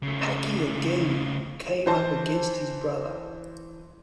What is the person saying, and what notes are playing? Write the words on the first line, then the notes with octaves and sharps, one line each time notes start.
Paki again came up against his brother.
C#3 A3
E3 C5 A5